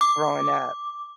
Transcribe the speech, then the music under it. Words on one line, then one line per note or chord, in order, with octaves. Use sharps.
growing up.
D6